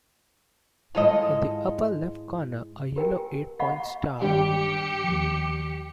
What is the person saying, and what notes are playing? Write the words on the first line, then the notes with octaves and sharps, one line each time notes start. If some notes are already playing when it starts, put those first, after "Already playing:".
In the upper left corner a yellow eight point star.
G#2 G#3 E4 F4 A4 D#5
G4 A#4 G5 G#5
D#5 F5 F#5 B5 C#6
G1 D#3 G3 D4 G4 G5 C#7
D#2 F3